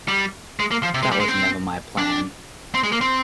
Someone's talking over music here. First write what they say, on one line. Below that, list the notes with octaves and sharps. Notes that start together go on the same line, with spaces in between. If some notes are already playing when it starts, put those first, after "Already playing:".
That was never my plan.
G3
G#3
A#3
F3
C3
G#3
G3
G#3
C4
D4
C4
G#3
A#3
C4